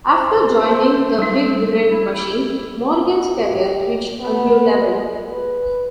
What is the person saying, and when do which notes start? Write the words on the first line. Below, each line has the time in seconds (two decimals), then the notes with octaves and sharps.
After joining The Big Red Machine, Morgan's career reached a new level.
0.11 C5
1.18 G3 D#4
1.89 E4
3.32 G4
4.20 B3
4.78 G#3
5.27 B4